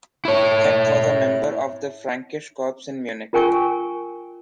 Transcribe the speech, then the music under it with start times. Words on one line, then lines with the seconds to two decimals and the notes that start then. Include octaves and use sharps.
Hepp was a member of the Frankish Corps in Munich.
0.25 E4 C#5
3.33 F4 A#4 G5 G#5 C#6